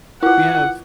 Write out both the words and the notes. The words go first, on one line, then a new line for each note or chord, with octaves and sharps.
We have
E4 F4 F#5